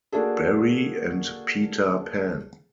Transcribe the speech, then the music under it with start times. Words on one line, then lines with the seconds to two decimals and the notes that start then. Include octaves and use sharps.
Barrie and Peter Pan.
0.12 A#3 D4 F#4 G#4 A4